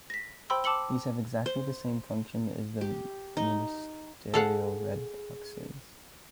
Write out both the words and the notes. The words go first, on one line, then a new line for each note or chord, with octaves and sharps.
These have exactly the same function as the ministerial red boxes.
A#6 B6
C5 G5 B5 C6 E6
A5 D6 E6 C#7 F#7 G7
C5
G4
D#4
G#4 A4 F5 F#5